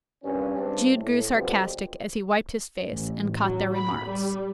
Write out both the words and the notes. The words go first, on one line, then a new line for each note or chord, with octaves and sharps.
Jude grew sarcastic as he wiped his face, and caught their remarks.
C2 G2 A#2 C#4
C#2 G2 C4 D4
A2
C2 F2 B2 D3 F3 G4
A1
F#3
B5
G3